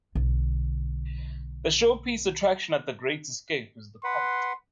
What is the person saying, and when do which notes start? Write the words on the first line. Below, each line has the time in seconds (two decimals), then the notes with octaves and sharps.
The showpiece attraction at The Great Escape is the Comet.
0.15 B1 D3
4.04 B4 F#5 C6